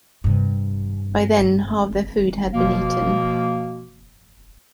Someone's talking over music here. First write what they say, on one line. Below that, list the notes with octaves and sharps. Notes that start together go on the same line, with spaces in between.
By then half their food had been eaten.
G2 C3
B2 F3 A#3